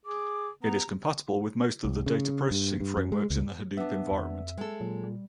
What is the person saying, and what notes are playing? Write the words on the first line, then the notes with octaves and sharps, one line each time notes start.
It is compatible with most of the data processing frameworks in the Hadoop environment.
G#4 D6
B3 A#5
C2
C#3
G2
G2
F#2
G#3
C#2
B3 D4 E5
F2
G#3 A4
A#2 F#3
G3